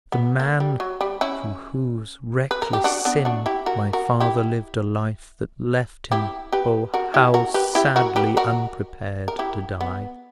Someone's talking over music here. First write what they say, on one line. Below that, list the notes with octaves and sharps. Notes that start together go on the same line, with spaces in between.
The man through whose reckless sin my father lived a life that left him, oh! how sadly unprepared to die!
B3
A#3
G3
F#3
G3
C#4 E4
B4
A#4
G4
D4 F#4
B3 D4
D4 F#4
E4 G4
F#4 A#4
F#4 A#4
E4 G4
E4 G4
G4 B4
F#4 A#4
E4 G4
F#4 A#4
G4 B4
E4 G4
F#4 A#4
G4 B4
F#4 A#4
A#4
E4 G4
B3